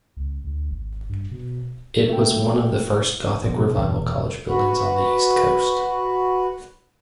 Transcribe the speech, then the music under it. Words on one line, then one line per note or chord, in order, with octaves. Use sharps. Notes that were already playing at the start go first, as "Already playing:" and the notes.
It was one of the first Gothic Revival college buildings on the East Coast.
C#2
D2
G#1
G2
B2
A3 A#3 A4 G5
B2 F3
D#1 E2 B2
F#4 B4